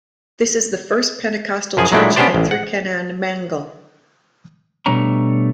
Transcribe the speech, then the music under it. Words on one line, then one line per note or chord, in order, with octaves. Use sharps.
This is the first Pentecostal Church in Thrikkannamngal.
F#2 F3 G#4
A#2 F#3 G#3 A3 D4 E4
B3 C#4 D4 G4 C5 D5
A1
F#5
B2 G3 A3 D4 C#5 A#5